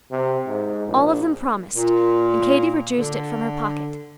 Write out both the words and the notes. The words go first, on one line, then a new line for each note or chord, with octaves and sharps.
All of them promised, and Katy produced it from her pocket.
C3
G#2
A#1
A#2
D3